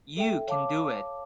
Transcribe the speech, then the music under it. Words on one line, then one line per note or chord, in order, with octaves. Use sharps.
You can do it.
A4 E5 G5
C#5 F5 A5 D6